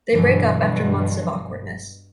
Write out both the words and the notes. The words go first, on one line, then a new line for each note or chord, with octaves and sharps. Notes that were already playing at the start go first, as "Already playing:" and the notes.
They break up after months of awkwardness.
G2 B2 D3 E3 F#3